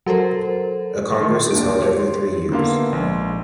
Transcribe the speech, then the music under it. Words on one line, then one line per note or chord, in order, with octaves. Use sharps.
A congress is held every three years.
F#3 A4 A#4 C5
D#3 E4 G#4 C6
D#2 A#2 D4 D7
G4 C5 C#5
C6
D3 A#3 B3 E5 F5 C6
A#1 G#2